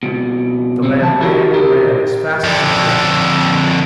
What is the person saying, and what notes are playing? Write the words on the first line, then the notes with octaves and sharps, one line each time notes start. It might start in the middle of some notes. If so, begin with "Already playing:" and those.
The lamb ran and ran as fast as he could.
C#2 B2
G2 C3 C4
D#2 E3 A5
E4 F#4 G4 A#4
G4 A#4
F2 D3